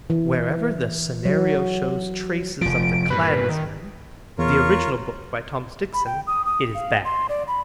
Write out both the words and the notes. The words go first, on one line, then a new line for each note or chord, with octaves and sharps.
Wherever the scenario shows traces of The Clansman, the original book, by Thomas Dixon, it is bad.
E3
F#3
F1 F3 D7
G2 A#2 B4
D#3
E2 F4 A#4 C#5
B5
G5
D#6
D#6
F5
C6
D5
B5